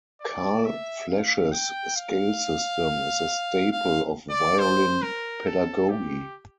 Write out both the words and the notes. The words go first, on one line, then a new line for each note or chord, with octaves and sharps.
Carl Flesch's "Scale System" is a staple of violin pedagogy.
D5
E5
F5
G5
F5
F5
D5
C5
A#4
A4
G4